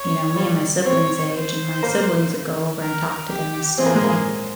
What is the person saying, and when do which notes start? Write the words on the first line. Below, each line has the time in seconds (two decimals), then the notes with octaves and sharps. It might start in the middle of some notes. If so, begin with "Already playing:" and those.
you know, me and my siblings' age, and my siblings would go over and talk to them and stuff and
Already playing: C#5
0.36 G3
0.85 C4 C#5
1.34 C5
1.83 A#3
2.80 A#4
3.29 G4
3.78 C4 G#4
3.86 A#3
3.95 G#3
4.04 A#3